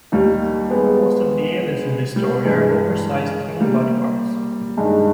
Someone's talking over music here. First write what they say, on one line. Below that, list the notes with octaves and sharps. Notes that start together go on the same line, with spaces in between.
Most of the aliens in this story are oversized human body parts.
D#2 D#3 G3 A#3
G#3 B3
G3
G2 E3 G#3
G3 A#3
G2 D#3 G#3